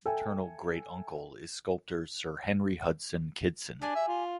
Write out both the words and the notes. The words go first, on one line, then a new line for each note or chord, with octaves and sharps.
His maternal great uncle is sculptor Sir Henry Hudson Kitson.
A4 E5 G5 G#5
D4 G4 G#4 G#5
E5
F4